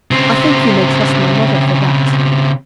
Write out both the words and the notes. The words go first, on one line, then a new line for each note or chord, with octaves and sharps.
'I think you may trust my mother for that.'
C#3 C4